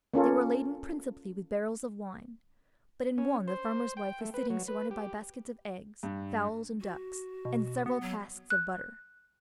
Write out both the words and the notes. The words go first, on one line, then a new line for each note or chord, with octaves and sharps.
They were laden principally with barrels of wine; but in one the farmer's wife was sitting, surrounded by baskets of eggs, fowls, and ducks, and several casks of butter.
A#3 C#4 F4 A4
C#4
C5
G5
A3
B4
F#3
B4
G4
G2
F#4
B2
B3
F#3
F#6